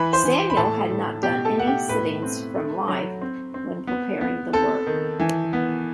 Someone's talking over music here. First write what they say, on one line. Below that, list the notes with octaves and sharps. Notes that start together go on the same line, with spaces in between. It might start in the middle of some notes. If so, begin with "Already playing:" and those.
Samuel had not done any sittings from life when preparing the work.
Already playing: E3 B4 B5
C5 C6
E3
B5
A2 A4 A5
A2
B2 G4 G5
A4 A5
A3 F#5
G4 G5
A2 B4 B5
C4
A3
F#3
C4
C4
B3
B3
C4 A4 A5
D#3
E3
B3